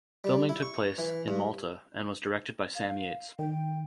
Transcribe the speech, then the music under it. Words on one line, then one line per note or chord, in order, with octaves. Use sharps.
Filming took place in Malta and was directed by Sam Yates.
G3
E4
C#6
E3
G2
F5
D#3 G5